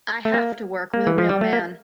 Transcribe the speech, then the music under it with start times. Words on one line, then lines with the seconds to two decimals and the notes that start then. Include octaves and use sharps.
I have to work with a real man.
0.25 A3
0.34 A#3
0.94 A#3
1.07 E3
1.18 F3
1.29 G3
1.41 A3
1.53 A#3